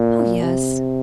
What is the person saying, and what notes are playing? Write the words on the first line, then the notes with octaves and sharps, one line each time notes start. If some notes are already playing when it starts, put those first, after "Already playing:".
Oh, yes.
Already playing: A#2
C3